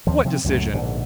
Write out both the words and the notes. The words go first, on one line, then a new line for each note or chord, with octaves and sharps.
What decision?
D#2 F3
C3 F3 A3 C4
C#2 F#2 A#2 A3
A#1 G#2 B2 D3